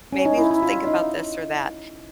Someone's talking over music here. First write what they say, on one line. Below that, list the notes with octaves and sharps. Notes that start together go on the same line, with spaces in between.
maybe think about this or that."
C#4
D#4
E4
E4
F4
D#4